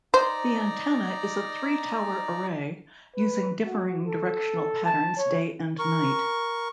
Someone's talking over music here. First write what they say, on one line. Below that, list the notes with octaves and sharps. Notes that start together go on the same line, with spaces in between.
The antenna is a three-tower array, using differing directional patterns day and night.
D#4 C5 D5 A#5
B4
F#4
A4
A5
C#5
A#4 C#6